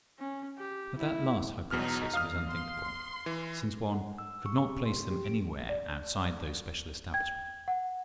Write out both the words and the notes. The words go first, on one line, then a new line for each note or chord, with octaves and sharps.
But that last hypothesis was unthinkable, since one could not place them anywhere outside those special establishments.
C#4
G4
E4
E2 B2 F#3 D#4 F6
E2 F5 D#6 F6
C6
E3
F#5
E6
C#6
G4
C6
G4
D7
D5
G5 G#6
F#5